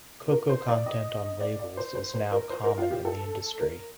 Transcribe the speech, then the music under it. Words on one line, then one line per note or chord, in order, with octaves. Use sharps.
Cacao content on labels is now common in the industry.
A#4
C5
D5
D#5
D5
D5
C5
C5
C5
A#4
C5
A#4
F4
G4
A4
A#4